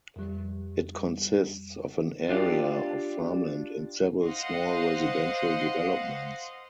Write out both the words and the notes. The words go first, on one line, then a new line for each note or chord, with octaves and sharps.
It consists of an area of farmland and several small residential developments.
F2 G3
D4 F4 G4
C5 D#5 F5 F#5 C6